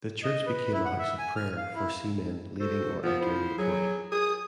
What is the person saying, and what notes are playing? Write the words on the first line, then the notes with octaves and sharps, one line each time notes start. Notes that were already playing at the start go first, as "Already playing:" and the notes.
The church became a house of prayer for seamen leaving or entering the port.
D#5
B4
E4
F#5
E5
G#5
F6
F5
E4
F#4 A4 C5
F3 B3
E4 C5
F#3 G#4
G#4 D#6